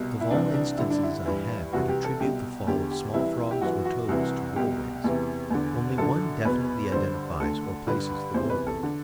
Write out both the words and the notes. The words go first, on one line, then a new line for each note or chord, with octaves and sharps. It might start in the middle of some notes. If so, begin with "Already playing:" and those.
Of all instances I have that attribute the fall of small frogs or toads to whirlwinds, only one definitely identifies or places the whirlwind.
Already playing: C2 B2
E4
C2 C3 E3 D4
D4
G2 D3 E4
D4
E4
G2 E3
C2 C3 E3 F#4
G4
A4
C2 B2 G4
E2 D3 G4
G4
C2 C3 E3 E4
G4
F#2 E3 F#4
F#4
C2 C3 E3
C2 B2 G4
E2 C3 E3
E2 D3
F#2 D3 A4
E2 B2 B4
G2 D3 C5
D2 D3 A4
G2 D3 B4
E2 C3 E3 C5
B4
A4
D3